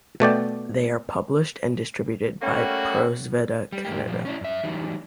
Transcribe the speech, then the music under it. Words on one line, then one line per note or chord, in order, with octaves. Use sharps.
They are published and distributed by Prosveta-Canada.
B2 A3 D5 G5
G3 A3 A#3 C#4 F#4
G3
G#2 G#3 A#3 G4
A#2 F3 G3
C#4 D4 E4
F#2 E5
E3 F#3 G3 D#4